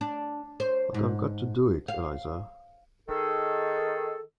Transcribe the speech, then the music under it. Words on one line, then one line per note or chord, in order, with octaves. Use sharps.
But I’ve got to do it, Eliza.
D4
C5
G#2
F5
D#3 G#4 A4